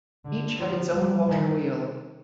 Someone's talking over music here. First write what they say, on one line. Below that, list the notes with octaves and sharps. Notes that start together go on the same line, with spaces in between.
Each had its own water wheel.
D3
F3
G3
D#3